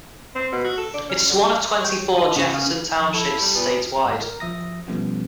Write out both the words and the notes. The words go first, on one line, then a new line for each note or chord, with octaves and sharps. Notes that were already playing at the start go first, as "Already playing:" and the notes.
It is one of twenty-four Jefferson Townships statewide.
C4
B2
F#4
A4
D4
C#4
D3
C#5 G5
D#4 D#6
C#3 F#4
F5 D#6
F3
E4 A4
G3 A5
A#2 B3
G#2
A#4
F3 E5 D#6 A#6
B2 F3 G3 A3 B3 C#4